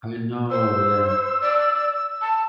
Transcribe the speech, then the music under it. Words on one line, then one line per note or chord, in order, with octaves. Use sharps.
I know, yeah.
C5 E6
D5
A5